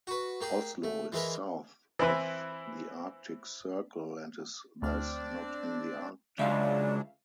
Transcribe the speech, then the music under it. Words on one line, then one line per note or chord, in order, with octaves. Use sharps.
Oslo is south of the Arctic Circle, and is thus not in the arctic.
F#4 B4
A#3 G4 G#4
A3
E3 G#3 E4 A#4 B4
E3 C4 E4 B4
D2 C4 D4 D5 F6
C#2 F#3 G#3 D4 D5 E5 F5